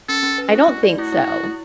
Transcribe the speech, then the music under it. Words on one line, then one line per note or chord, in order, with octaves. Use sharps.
I don't think so.
C#4 A4
C#4
B4
E4 F#4
A3
D5
E4 F#4
E4
E4
E4